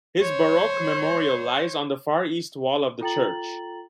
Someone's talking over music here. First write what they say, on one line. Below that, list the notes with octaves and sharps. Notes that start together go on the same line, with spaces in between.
His baroque memorial lies on the far east wall of the church.
C5 C#5
F4 A4 G5 A#5 A6 F#7